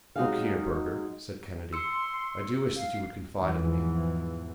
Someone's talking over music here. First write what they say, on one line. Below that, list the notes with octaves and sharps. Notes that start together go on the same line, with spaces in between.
"Look here, Burger," said Kennedy, "I do wish that you would confide in me."
F#3 G#3 D#4 F#4 G#4 F5
C6 E6 C#7
F5
E2 G#2 E3 F3